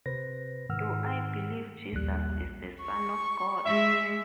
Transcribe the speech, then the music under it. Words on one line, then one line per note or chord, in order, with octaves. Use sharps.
Do I believe Jesus is the son of God?
C3 B4 C5 A#6
G#2 D#3 F#5 E6 F6
A#1 D#2 G3 F#6
C#6
G#3 E5